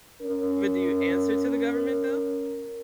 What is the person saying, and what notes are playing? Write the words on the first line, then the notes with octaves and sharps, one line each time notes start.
But do you answer to the government though?
C#4 A#4